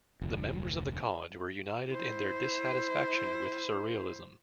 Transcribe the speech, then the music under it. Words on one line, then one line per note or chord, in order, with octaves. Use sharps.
The members of the College were united in their dissatisfaction with surrealism.
F1 D2
E4 C5